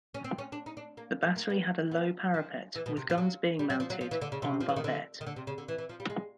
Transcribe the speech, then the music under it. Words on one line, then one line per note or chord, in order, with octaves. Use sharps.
The battery had a low parapet, with guns being mounted "en barbette".
C#4
C4
C#4
D4
D#4
D4
A#3
A3
A#3
B3
B3
F3
E3
B2
C3
F3
F#3
G3
F#3
F3
F#3
F3
E3
D3
C#3
C3
F3
E3
D#3
D3
D#3
D3
C3
C#3
D3
E3
E3
F3
G3
G#3